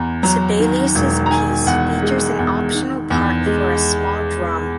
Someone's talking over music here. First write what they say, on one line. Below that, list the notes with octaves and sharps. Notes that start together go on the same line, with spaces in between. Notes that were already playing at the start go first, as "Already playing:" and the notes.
Sibelius’ piece features an optional part for a small drum.
Already playing: E2 A#5
F#3 A#5
D#3
E1
A#5
D#3 G#5
E2 F#5
G#3
E2
D#3
E2
G#3